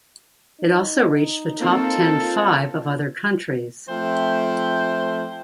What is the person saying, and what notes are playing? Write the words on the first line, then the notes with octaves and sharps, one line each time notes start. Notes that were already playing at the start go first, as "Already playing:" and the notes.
It also reached the top ten five of other countries.
D#4
A#3 C4 F4 A4
F3 A3 C4 C5 E5 G5